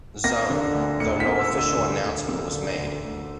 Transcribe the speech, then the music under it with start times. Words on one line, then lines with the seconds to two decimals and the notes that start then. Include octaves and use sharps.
Zone, though no official announcement was made.
0.24 A#3 A#6
0.50 D3
0.75 D2
1.00 D2 C#7
1.20 B6
1.27 A#3
1.39 E6
1.52 D3
1.58 E6
1.77 D2
2.03 D2
2.28 A#3
2.54 D3
2.79 D2
3.05 D2